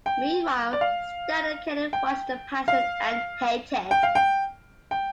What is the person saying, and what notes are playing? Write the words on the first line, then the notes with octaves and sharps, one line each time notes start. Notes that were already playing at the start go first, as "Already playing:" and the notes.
Meanwhile, Stan and Kenny watch "The Passion" and hate it.
G5
D5
F5
G5
F5
G5
F5
G5
G5